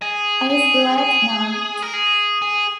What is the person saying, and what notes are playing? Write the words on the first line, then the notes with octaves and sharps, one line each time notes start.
I was glad to know it.
G#4
G#4
G#4
A#4
G#4
G#4